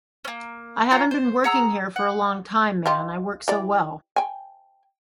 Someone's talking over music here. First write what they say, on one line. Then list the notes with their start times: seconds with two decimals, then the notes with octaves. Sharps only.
I haven't been here for a long time, man, I work so well.
0.25 A#3 C#4
0.91 C#4 F4 A#5
1.11 C5
1.44 G#4 F#5 A#5 E6
1.96 F#5
2.86 D#4 F4 G4
3.48 E3 G4 D5
4.16 G5 G#5